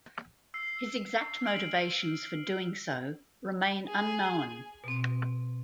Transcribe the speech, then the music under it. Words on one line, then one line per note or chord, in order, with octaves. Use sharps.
His exact motivations for doing so remain unknown.
E6 C7
F6 D7 F#7
G#4
B2 C4